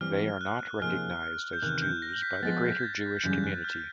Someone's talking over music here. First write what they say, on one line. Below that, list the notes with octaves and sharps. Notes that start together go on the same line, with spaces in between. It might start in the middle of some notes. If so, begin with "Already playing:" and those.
They are not recognized as Jews by the greater Jewish community.
E3 G3 C4 F6
F#6
C3 F3 A#3 D#4 G#4 F6
G6
E2 C3 D#3 F#6
G6
A#6
B6
F3 G#3 B3 A6
G6
G#6
F#2 C#3 E3 G3 G6
F#6
F6